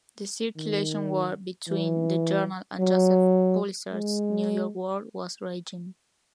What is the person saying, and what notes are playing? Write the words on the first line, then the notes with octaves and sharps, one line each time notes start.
The circulation war between the "Journal" and Joseph Pulitzer's "New York World" was raging.
D#3
E3
F#3
G#3